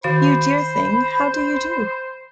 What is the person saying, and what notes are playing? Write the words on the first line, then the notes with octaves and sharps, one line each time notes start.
You dear thing, how do you do?
D#3 F#4 C5 F5 B5